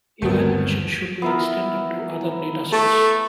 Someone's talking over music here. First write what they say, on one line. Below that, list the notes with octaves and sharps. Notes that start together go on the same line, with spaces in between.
Evaluation should be extended to other datasets.
G1 D#2 G#2 A3 B3 C4 A#4
B3 E4 A#4
A3 A4 A5 C#6